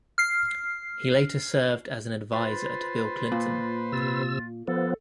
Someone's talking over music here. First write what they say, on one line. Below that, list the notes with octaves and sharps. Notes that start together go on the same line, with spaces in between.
He later served as an adviser to Bill Clinton.
F6 C7
F4 B4 C5
A#2
C3 F4 E6
F3 B3 A4